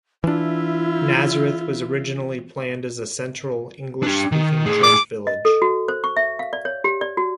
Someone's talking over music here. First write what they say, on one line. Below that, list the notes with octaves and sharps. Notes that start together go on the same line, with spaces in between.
Nazareth was originally planned as a central English-speaking church village.
E3 D4 E4 F4 E5
D4 G4
D#3
A2 G#4
D6
D#5
A4
F#4
C5
C#6
E5
F5
D5
C#5
G4
D5
F#4